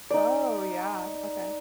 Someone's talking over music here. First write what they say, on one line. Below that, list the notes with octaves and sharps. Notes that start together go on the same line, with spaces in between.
Oh, yeah. Okay.
D#4 D5